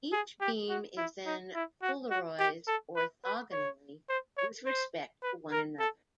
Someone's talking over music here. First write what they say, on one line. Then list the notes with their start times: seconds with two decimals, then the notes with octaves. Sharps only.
Each beam is then polarized orthogonally with respect to one another.
0.12 G#4
0.41 G4
0.69 F#4
0.97 E4
1.26 D#4
1.54 E4
1.82 F#4
2.11 F#4
2.39 G4
2.67 A4
2.96 B4
3.25 B4
3.52 C#5
4.09 C5
4.38 C#5
4.66 C5
5.23 B4
5.52 A#4
5.79 A4